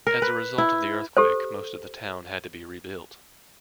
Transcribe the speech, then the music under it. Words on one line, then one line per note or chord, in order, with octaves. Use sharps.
As a result of the earthquake, most of the town had to be rebuilt.
A#4
B4
E4
G4 A4 C5